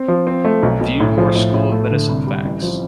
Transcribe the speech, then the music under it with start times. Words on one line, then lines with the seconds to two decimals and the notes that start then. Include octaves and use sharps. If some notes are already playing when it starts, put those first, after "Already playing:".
View more School of Medicine facts.
Already playing: C4
0.08 F3
0.27 C4
0.45 A3
0.63 B1
0.81 B1
1.00 A2
1.18 F3
1.36 A2
1.54 A2
1.72 A3
1.90 D3
2.08 C2
2.27 G3
2.45 A1
2.62 F3